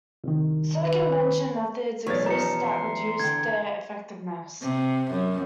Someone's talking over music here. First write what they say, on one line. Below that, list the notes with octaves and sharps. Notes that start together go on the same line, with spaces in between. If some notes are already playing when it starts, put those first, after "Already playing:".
Circumvention methods exist that reduce their effectiveness.
C2 D#3
B4
E2 B2 F#3 D#4 C#5 A6
F3 G3 C#4 A#5 C#7
E5 C6
D3 G5 G#6
C3
F#2